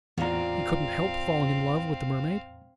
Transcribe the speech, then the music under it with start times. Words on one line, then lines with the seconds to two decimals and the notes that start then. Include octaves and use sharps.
"He couldn't help falling in love with the mermaid."
0.18 E2 A2 C4 F4 D5 F5 A#5